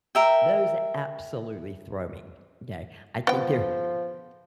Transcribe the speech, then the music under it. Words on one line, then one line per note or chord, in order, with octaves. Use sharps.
Those absolutely throw me. 'Kay? I think they're
A#4 E5 G5
F3 B3 G5